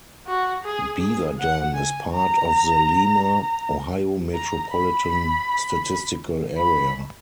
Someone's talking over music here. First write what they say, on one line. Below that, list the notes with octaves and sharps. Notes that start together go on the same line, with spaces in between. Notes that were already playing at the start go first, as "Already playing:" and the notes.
Beaverdam is part of the Lima, Ohio Metropolitan Statistical Area.
F#4
G#4
G#4
F#5
G#5
A#5
A#5
B5
B5